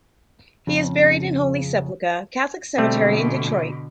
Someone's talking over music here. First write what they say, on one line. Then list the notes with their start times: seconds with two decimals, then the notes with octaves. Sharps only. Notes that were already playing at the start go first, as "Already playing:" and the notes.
He is buried in Holy Sepulchre Catholic Cemetery in Detroit.
0.67 F2 C#3
2.78 B2 D3 G3 A3 C4